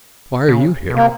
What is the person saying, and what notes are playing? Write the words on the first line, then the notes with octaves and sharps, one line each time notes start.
"Why are you here?"
D3
C#3
B2
C3 A#3